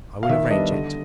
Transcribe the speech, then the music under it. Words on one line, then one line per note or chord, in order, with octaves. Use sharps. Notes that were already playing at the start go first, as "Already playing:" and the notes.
'I will arrange it.
F5
D#3 E5
G3 B3 D4 D#5
D3